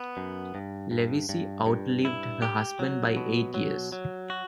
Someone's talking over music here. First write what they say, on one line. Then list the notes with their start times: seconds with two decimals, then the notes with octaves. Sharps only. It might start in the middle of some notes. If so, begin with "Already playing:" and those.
Levicy outlived her husband by eight years.
Already playing: B3
0.17 F#2
0.55 G2
0.91 G2
1.29 G2
1.66 G2
2.05 E4
2.42 G4
2.79 F#3
3.17 B2
3.54 F#3
3.92 F#3
4.30 F#4